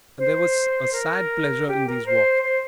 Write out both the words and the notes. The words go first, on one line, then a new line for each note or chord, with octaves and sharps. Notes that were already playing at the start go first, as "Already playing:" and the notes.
And there was a sad pleasure in these walks.
C5
A#4
G4
A#4
C5
C5